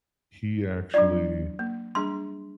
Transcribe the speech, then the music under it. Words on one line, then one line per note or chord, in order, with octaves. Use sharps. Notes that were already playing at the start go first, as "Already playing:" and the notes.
he actually
F#3 D4 F4 D5
A#3
G3 D4 G#4 C6